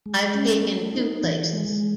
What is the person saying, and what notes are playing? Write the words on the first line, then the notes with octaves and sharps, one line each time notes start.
I’ve taken two places.
G#3
C#4
A3
D#4
E3
G#3